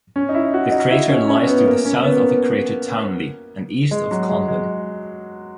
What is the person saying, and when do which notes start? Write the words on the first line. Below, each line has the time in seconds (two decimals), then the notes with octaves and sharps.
The crater lies to the south of the crater Townley, and east of Condon.
0.16 C#4
0.29 D#4
0.35 E4
0.54 F#4
0.71 D#4
0.91 E4
1.09 C#4
1.28 C#4
1.47 B3
1.66 A#3
1.85 C#4
2.03 B3
2.23 A#3
3.91 G#3
4.11 F#3
4.29 G#3
4.48 G#3